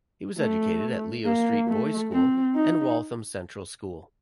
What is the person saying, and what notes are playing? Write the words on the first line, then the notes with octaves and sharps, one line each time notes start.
He was educated at Leo Street Boys' School and Waltham Central School.
A3
A#3
A3
C4
D#4